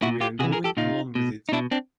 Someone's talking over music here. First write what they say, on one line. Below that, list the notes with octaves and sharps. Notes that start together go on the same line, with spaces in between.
We are going along with it.
A#2 E4 F#4
F4 G4
C3 E3 F#4 G#4
G#4 A#4
G4 A4
A#2 D#4 F4
B2
D#4
B2 D4 E4
C4 D4